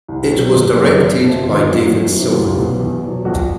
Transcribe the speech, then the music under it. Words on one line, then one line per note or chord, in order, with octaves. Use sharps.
It was directed by David Silverman.
C2
B2 F#3
G1
F#2 C#3 F#3
G1
F2 C3 F3
G#1 F4
F#2 D3 F#3
E2
C3 D#3 F#3
C2 F4
B2 F#3
E2
B2 F#3
A#1 F#4